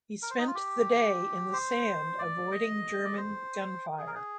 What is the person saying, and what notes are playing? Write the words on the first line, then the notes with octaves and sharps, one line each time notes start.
He spent the day in the sand avoiding German gunfire.
A#4
C5
D#4
F4
G4
C5
D5
D#5
D5
C5
G#4
A#4
G#4